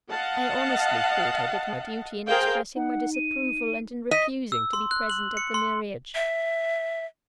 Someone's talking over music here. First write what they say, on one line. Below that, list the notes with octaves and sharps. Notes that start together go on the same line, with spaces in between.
I honestly thought I did my duty in expressing my disapproval, and in refusing to be present at the marriage.
D#5 F5 F#5 A5
G#4 A#4 C5 F5 G5
D#4 F#5
D#7
D#5 B6
E6
C6
F#6
F#7
C#7
C6
E5